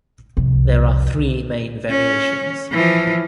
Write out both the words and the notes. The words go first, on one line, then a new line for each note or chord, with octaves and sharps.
There are three main variations.
C2 F2
C#4
E3 F3